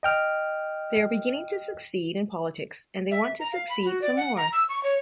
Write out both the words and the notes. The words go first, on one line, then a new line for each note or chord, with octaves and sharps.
They are beginning to succeed in politics and they want to succeed some more.
D#5 G5 F6
E5
A#5
F5
B5
F#4
D5
F#5
A#5
E6
C#6
C#5